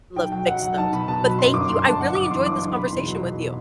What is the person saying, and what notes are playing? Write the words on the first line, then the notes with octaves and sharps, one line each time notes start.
l fix those. But thank you, I really enjoyed this conversation with you.
B1 G5
F#3 G5
F#3 F#5
F#3 F#5
B1 A5
B2 B5
B2 A5
F#3 B5
F#2 C6
G1 D6
G1 C6
G1 A5
G1 F#5
G1 D6
E3 C6
G1 D6
F#1 C6
B2 B5
C6
E2
F#3
B2